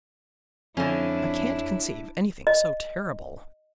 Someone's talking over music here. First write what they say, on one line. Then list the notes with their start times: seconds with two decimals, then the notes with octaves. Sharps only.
I can't conceive anything so terrible.
0.77 F2 D3 C#4 D4 E4
2.47 D#5